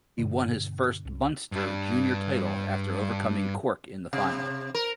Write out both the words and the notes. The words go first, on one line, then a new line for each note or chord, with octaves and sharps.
He won his first Munster Junior title after overcoming Cork in the final.
G2 B2 D3
C2
G2 D4
C3
A#4